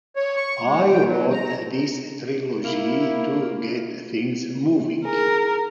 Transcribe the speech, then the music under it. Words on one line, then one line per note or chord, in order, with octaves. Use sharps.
I wrote this trilogy to get things moving.
C#5
C#6
G#3
G5
F#3
A#5
A#3 E4
G#4 A#4